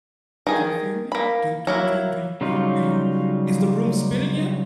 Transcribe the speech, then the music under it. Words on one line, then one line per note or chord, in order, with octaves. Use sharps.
do you feel me? Do, do, do, do you, do you, is the room spinning yet?
D#3 G#4
A#3 B5
F#3 A#3 E4
C#3 F#3 G3 D#4 F4